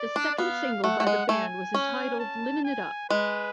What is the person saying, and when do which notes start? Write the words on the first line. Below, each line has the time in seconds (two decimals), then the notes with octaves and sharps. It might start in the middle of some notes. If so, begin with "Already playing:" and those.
The second single by the band was entitled "Livin' It Up".
Already playing: D5
0.16 D4
0.38 B3 F5
0.84 A3 F#5
1.00 A3
1.07 G#3
1.29 A3 G#5
1.75 C#4
2.20 A5
2.65 G#5
3.10 G#3 B4